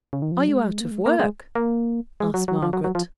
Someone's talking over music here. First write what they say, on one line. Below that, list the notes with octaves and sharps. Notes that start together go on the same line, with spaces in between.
'Are you out of work?' asked Margaret.
C#3
D#3
F3
F#3
G#3
A#3
G#3
A#3
G#3
A#3
G#3
F#3
F#3
F3
F#3
F#3
F3